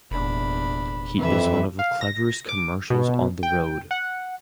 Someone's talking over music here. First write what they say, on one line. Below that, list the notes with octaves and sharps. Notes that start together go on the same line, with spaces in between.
He is one of the cleverest commercials on the road.
F1 E2 A#2 D4 B5
F2 E3 F3 B4 E5
F5
A#6
D6
B2
G5
F#5